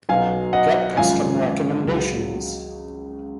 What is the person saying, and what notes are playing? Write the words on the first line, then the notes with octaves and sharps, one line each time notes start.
Get custom recommendations.
B1 B2 F#3 F5 G#5
D#5 F#5
G#1 F#2 F3 F5 G#5
C#2 C#3 F#3